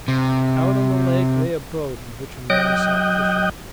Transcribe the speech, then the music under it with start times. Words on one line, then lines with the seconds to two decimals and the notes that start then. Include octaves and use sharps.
Out on the lake lay a boat in which a man sat fishing.
0.08 C3
2.50 F#3 D#5 G5 D#6 F#6 G6